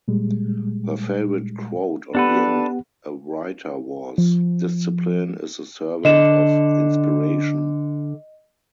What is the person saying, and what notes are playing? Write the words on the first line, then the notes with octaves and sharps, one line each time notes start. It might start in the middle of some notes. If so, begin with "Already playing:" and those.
Her favorite quote on being a writer was: Discipline is the servant of inspiration.
A#2 G3 G#3
B3 D4 G4 A4 B4 F#5
F3
D3 D#5 E7